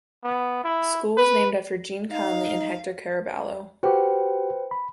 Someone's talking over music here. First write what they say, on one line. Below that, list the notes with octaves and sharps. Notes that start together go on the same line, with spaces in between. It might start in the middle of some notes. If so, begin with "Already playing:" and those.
The school was named after Jean Conley and Hector Caraballo.
B3
E4
B4
D#4 F5
F#4 G4 B4 C5 G5
B5